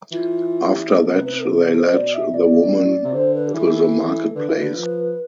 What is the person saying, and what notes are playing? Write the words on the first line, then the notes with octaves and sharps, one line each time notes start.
After that, they led the woman to the marketplace.
E3 F4
G4
A4
C3 B4
B4
A4
A4
A4
C5
B2 D5
E5
B2 D5
E2
F2
A2
C3
D3 C5
B4
G4
E3 A4
D3 B4
E3
D3
F3